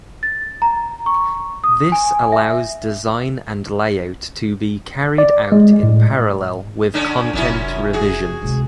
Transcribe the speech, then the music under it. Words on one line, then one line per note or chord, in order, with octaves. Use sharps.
This allows design and layout to be carried out in parallel with content revisions.
A6
A#5
C#6
D#6
G#5
E5
D5
G#3
A2
D3 C#4 D4
F1 F#2 C#4 E4 F4
F#4 G#4
C#2 C3